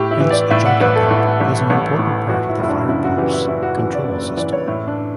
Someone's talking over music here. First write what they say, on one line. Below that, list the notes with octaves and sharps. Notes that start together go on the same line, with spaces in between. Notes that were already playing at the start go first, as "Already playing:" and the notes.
Hence a jockey pump is an important part of the fire pumps control system.
Already playing: A2 G4
E4
E3
D5
A2 E5
F#5
A1 B4
A4
A2
A1
A1
A2
E3 F#4
E4
F#1 E4
D4
C#3 E4
F#4
E3 G4
E4
E3 E4
F#4
E3 F#4
D5
F#1 B4
E3 D5
C#5
A2 E4
D4